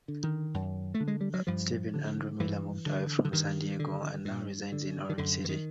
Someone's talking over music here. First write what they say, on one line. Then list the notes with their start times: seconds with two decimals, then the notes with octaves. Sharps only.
Steven Andrew Miller moved away from San Diego and now resides in Orange County.
0.08 D3
0.24 D#3
0.54 F#2
0.94 A3
1.00 D3
1.08 G#3
1.21 G3
1.34 F#3
1.47 G2 F3
1.94 D3
2.40 G2 E3
2.86 D3
3.25 D3
3.32 G2 D#3
3.79 D3
4.25 G2
4.72 D3
5.09 D#3
5.18 F#2 D3
5.44 E3
5.49 D#3